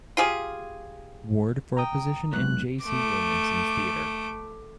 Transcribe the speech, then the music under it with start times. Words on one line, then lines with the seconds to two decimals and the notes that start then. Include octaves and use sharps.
Ward for a position in J. C. Williamson's theatre.
0.17 F4 G4 G#4
1.77 G5 A#5 D#6
2.33 B1 E2 G#3 F#6
2.84 A3 D6